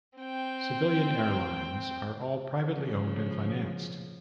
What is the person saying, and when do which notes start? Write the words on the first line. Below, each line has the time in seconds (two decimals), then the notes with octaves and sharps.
Civilian airlines are all privately owned and financed.
0.18 C4 G5
2.64 C#3 F3